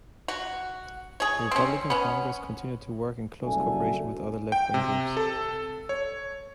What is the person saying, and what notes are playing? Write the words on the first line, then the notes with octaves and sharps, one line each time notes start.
The Republican Congress continued to work in close co-operation with other left-wing groups.
F#4
G#4 C#5
C4 C#4
B3 C#4
F#1 C2 A3 D4 F#4 G#5
G5
C3
A4
C#5